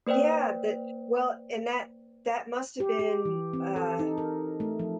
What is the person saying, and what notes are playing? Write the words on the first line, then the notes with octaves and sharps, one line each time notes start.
Yeah, that Well, and that that must've been, uh,
A#3 B4 C5 D5 G5
G4
G4
E3
C4
A4
D#4
A#4
A3
F3